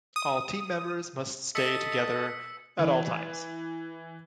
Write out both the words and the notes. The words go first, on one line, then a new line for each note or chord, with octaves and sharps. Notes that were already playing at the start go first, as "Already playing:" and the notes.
All team members must stay together at all times.
D#6
A4 D#5 E6 B6 C#7
E3